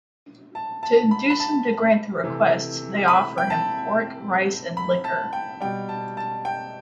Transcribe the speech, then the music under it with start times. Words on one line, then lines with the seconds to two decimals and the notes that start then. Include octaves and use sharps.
To induce him to grant their requests, they offer him pork, rice, and liquor.
0.55 A5
0.83 A5
1.11 B5
1.30 B5
1.40 A5
2.24 C3 E3 A3
3.08 B5
3.38 G5
3.50 A5
4.77 B5
5.04 A5
5.33 G5
5.60 B2 G3 G5
5.89 A5
6.17 A5
6.45 G5